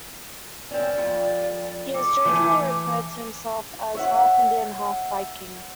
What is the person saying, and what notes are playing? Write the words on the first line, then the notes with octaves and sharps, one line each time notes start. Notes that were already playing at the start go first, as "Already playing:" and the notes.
He has jokingly referred to himself as "Half Indian, half Viking".
C4 C#4 D5
F2
A4 D6
E3 A3 G#5
C#5 E5 F#5